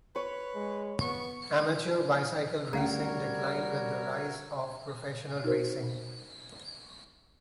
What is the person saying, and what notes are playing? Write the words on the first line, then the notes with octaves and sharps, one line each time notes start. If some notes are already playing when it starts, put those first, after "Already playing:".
Amateur bicycle racing declined with the rise of professional racing.
B4 C#5
G#3
B3 C#6
D2 G3 C#4 F#4 A#4 C#5 F5 A#5
D#4 F#4 A#4 C5